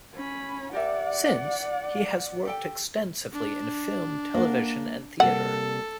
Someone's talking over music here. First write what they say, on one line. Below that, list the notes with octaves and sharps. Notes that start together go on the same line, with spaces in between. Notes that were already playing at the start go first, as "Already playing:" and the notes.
Since, he has worked extensively in film, television and theatre.
C#4 B5
G4 A#4 D5 E5 F#5
G4 A4 G5
D4
A#3 F#5
C3 G3 A#3 A4 F#5